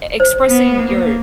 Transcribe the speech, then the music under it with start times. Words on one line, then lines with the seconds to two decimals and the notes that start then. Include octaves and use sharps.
e expressing your
0.20 C5
0.49 B3
0.79 A#3